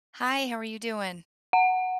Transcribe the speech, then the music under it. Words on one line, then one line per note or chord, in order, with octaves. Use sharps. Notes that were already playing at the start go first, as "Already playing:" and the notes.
Hi, how are you doing?
F#5